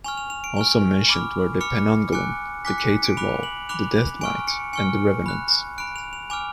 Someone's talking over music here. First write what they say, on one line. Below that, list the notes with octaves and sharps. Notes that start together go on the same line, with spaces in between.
Also mentioned were the penanggalon, the caterwaul, the death knight, and the revenant.
G#5 C#6 F6 F7
F7
F7
D7
G#5 C#6 F6
B5 D6 F6
B5 D6 F6 C#7
G#5 D6 F#6 C#7
G#5 D6 F#6 B6
C#7
D7
B5 D6 F#6 F7
F#7
B5 D6 F#6 F7
G#5 C#6 F6 D7
C#7
G#5 C#6 F6 C#7
B5 F#6
B5 F#6 D7
F7
F7
G#5 D6 F6 F7